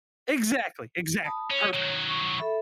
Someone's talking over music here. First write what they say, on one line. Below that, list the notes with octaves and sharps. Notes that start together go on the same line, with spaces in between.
Exactly, exactly, perfect.
A5 B5 D#6
C#4 C#5
D#3 F#3
C#6
A4 E5 B5